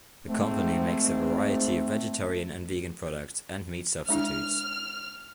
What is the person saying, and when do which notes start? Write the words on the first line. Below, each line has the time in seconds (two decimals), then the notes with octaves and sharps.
The company makes a variety of vegetarian and vegan products and meat substitutes.
0.27 G#2 A3 C4
4.09 G#3 D4 E4 F6